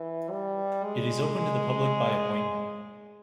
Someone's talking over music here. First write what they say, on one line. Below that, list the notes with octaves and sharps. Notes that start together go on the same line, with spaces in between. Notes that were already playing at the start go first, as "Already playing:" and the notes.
It is open to the public by appointment.
Already playing: E3
G3
G#3